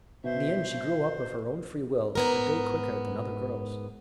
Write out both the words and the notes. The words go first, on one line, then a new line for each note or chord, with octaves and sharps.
In the end she grew up of her own free will a day quicker than other girls.
B2 C5 E5
G#2 B3 A#4